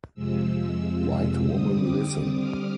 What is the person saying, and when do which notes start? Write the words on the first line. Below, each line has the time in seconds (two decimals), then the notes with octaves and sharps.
White Woman Listen!
0.14 F2 C3 F3 G#3 E6
1.10 E6
1.42 D3 G3 C4 D#6
1.74 D6
2.05 D#6
2.37 F6